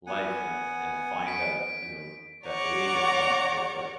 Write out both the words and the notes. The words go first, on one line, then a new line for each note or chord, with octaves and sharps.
Life and and find that, you know, that egg at the end of it to
B3 F#5 G#5
B6 D7
C#5 D5 F#5 A#5 C#6 D6